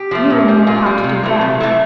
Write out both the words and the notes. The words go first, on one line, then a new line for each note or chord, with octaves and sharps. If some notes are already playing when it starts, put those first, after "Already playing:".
You will know how to do that.
Already playing: G4
F3 A3
A#2
G3
A#2 F4
G3
C3
E3 A3
C3
E3 A3